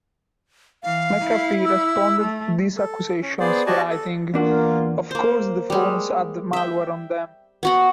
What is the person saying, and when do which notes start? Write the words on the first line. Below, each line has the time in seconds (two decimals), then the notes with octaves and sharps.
McAfee responded to these accusations, writing, Of course the phones had malware on them.
0.83 E3 F5
1.21 E4
1.65 E6
2.21 A3
2.77 A4
3.22 C#4
3.40 B3 G#4 C5 D5
3.66 F#4 G4 D5 D#5 G#5 A5
3.90 A4
4.34 E2 A#3 D4 F4 F#4
5.11 A#3 C5
5.70 G3 G#3
6.53 E5 G5
7.63 B3 F#4 F#5